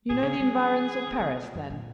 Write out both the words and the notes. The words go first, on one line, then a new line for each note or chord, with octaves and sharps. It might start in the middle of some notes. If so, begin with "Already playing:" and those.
"You know the environs of Paris, then?"
A#2 G#4
C#3
G#3
F#3
F3
D#3
C#3
B2
A#2
F#2
A#2